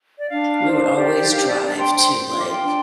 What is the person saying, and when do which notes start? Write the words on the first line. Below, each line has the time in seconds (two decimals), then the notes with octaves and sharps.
we would always drive to, like,
0.18 D5
0.30 D4 F5
0.64 C5
0.96 G4 D5
1.13 D5
1.29 D4 F5
1.46 D5
1.62 D4 D5
1.79 G5 C6
1.95 C5 G5 C6
2.28 F4 C6
2.39 D6
2.49 G5 C6
2.62 D4